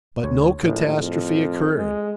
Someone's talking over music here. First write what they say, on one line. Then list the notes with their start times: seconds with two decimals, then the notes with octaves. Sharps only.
But no catastrophe occurred.
0.24 D2 C#5
0.63 A#1 A2
0.98 F2
1.76 G#3